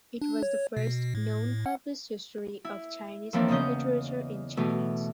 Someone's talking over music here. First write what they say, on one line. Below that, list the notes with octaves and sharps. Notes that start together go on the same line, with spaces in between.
It was the first known published history of Chinese literature in Chinese.
D4
C#5
B2
A2
F#5
E4
D#2 E3 F3 A#3 C4 D4
E2 C#3 B3 C#4 D#5 G6
B2 E3 A3